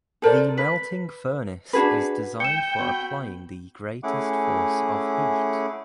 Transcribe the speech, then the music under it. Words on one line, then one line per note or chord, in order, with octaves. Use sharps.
The melting furnace is designed for applying the greatest force of heat.
A4 A#4 C5 D5
B4
D4 F#4 G#4 B4
G5 C#7 E7
B3 F#4 B5
A3 C#4 E4 G#4 F#5 D6